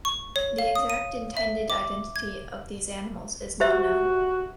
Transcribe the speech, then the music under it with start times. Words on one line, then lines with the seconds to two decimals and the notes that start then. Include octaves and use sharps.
The exact intended identity of these animals is not known.
0.05 C#6
0.36 C#5
0.58 F5
0.75 D#6
0.90 D#7
1.37 E5
1.70 D6
2.16 G#6
3.60 F#4 G4 C5 E5